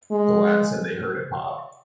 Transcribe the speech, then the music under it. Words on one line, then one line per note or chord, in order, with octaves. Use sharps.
The lads said they heard it pop.
G#3